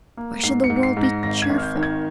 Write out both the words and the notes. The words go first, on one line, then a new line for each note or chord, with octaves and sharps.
Why should the world be cheerful?
A#3
G#2 C7
C#7
G#2
C#7
C7
G#2
A#6
G#1 A#6
G#6
G#1
F6
G6
D#3
G#6